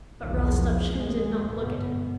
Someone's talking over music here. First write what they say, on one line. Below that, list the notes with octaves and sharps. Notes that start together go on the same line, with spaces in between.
But Rostopchin did not look at him.
F1 B1 E2 D#3 F3 G#3
D#2 G#3
G1 G#2 B2 B3